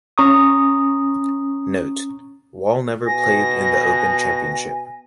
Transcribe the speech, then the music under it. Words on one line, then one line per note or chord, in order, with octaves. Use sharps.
Note: Wall never played in The Open Championship.
C#4 A#5 C#6 D#6
B2 G#5 A#6